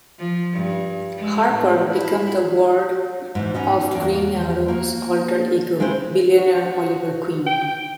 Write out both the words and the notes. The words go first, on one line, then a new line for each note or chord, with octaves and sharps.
Harper became the ward of Green Arrow's alter ego, billionaire Oliver Queen.
F3
G2
G#3
A2
E4
G#2 B2 E3
B3 C#4 D#4 F#4
E2 A#3 A#4 D5
E2
A#3 F#4
C#3 G#3 C4 E4 B4 C5
F#4
G5